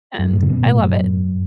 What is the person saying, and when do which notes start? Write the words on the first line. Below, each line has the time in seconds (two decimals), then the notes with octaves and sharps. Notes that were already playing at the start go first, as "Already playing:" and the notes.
and I love it.
0.19 F#2
0.33 A2
0.42 C#3
0.49 B2
0.65 A2
0.79 F#2